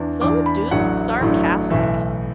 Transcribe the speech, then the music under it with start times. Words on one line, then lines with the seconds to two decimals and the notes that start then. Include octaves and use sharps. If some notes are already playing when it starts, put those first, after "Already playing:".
'So deuced sarcastic!
Already playing: E2 E3 D4
0.21 E2 E3 D4 D6
0.46 B5
0.71 A1 A2 F#3 D4 F#5
1.20 A1 A2 F#3 D4
1.70 B1 A2 E3 E5